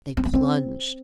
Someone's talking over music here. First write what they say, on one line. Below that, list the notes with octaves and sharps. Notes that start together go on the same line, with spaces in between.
They plunged.
C4
B3
C4